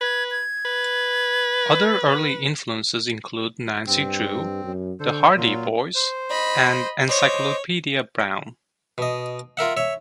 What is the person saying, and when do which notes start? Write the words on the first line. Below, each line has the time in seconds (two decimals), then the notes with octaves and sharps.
Other early influences include Nancy Drew, The Hardy Boys, and "Encyclopedia Brown".
0.01 B4 G#6
0.31 G#6
0.65 B4
3.87 G2 C4
4.64 F#2
5.00 D3 A4 C5
5.37 A#2 F#3 F4
5.95 C5
6.30 D#5 B5
7.08 C5 C#5 D#5 D6
8.98 B2 D#5
9.57 F4 A#4 E5 F#5
9.77 C#5 E5